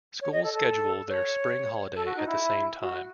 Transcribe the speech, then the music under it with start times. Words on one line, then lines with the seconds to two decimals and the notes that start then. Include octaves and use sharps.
Schools schedule their spring holiday at the same time.
0.21 C#5
0.32 D#5
0.43 A4
0.54 A4
1.08 C#5
1.95 A4
2.06 F#4
2.17 D#4
2.26 E4
2.81 F#4